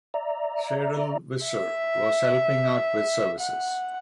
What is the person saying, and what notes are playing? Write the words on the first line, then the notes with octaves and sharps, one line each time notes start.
Sarel Visser was helping out with services.
D5 E5 A#5
E5
F#5